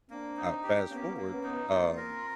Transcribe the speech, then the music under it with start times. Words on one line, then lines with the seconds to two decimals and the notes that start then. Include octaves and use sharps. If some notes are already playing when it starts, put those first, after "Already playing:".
I fast forward, um,
0.10 A#3 C4 D4
0.37 D#4
0.63 G4
0.90 A#3 B3 C#4
1.17 A#3
1.30 B3 C#4
1.44 D#4
1.70 A#3 C4 F4
1.97 A#4